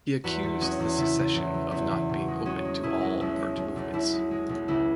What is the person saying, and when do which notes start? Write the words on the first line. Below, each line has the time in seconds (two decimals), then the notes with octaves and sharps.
He accused the Secession of not being open to all art movements.
0.24 E2 F#4 B4
0.43 E2
0.61 G#3 C#4 F#4
0.79 E2
0.97 C#3 E4
1.17 C#3
1.36 E2
1.54 E3
1.71 E2
1.91 E2
2.09 B2
2.28 G#3
2.45 G#3 C#4 F#4
2.65 G#3
2.83 B2 E4 G#4
3.01 G#3
3.20 B1 E4
3.39 G#3
3.57 B1
3.76 B1
3.94 B1 E4
4.13 G#3
4.31 G#3
4.49 B1
4.68 C#2 E4